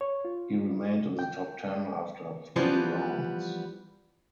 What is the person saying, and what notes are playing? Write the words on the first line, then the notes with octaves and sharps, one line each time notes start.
He remained in the top ten after three rounds.
C#5
F4
G5
E3 F3 G3 B3